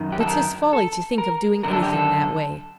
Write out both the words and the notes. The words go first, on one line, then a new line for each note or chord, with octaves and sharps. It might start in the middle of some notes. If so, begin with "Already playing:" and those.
But 'tis folly to think of doing anything that way.
Already playing: F#2 D#3
G4
A4
A#4
A4
A#4
F#2 D3 A#4
A4
G4
A4